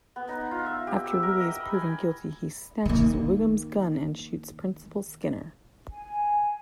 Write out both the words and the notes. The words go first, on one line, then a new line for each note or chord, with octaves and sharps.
After Willie is proven guilty, he snatches Wiggum's gun and shoots Principal Skinner.
B3
D#4
F4
E5
G4
E6
A#4
D#5
B5
G#5
D#3 A#3
G#5